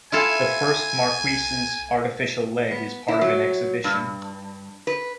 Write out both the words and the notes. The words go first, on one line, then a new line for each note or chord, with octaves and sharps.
The first Marquess's artificial leg is part of an exhibition.
E4 F4 A4 G#5
B3
E4
F#3
G2
B4